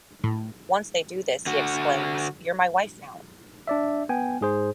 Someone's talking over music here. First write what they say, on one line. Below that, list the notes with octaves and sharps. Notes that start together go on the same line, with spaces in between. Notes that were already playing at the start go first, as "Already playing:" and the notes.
Once they do this he exclaims, You're my wife now!
A2
D3 F#4
D4 D5 E5
B3 G5 G#5
G#2 G#4 C5